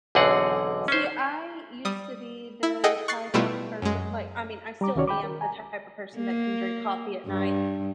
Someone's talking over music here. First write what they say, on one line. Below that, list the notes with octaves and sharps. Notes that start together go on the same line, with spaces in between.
See, I used to be the type of person like, I mean, I still am the type of person that can drink coffee at night,
B1 E2 D3 C4 G#4 F#5
C#4 C5
G3 D#6
E4
G#4 A4 D#5 F#5 G5
C#6 F#6 A6 C7
B2 G3 A3 B3 E4 F4
F#2 G#3
G3 A#5 D6
C2 D#3 C#4 F#4 C#5 D5
G5 B5 D6
A#4
G#5 A#5
A#3
G2